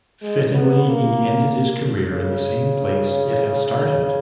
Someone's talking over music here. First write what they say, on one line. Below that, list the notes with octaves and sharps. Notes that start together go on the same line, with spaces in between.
Fittingly, he ended his career in the same place it had started.
G#3
B3
A#3
C#3